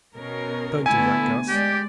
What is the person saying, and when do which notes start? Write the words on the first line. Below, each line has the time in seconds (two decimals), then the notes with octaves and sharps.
"Don't do that, Guss?"
0.14 B2 C#4 A#4
0.86 D3 A3 B3 E4 G#5
1.48 G#3 G4 D5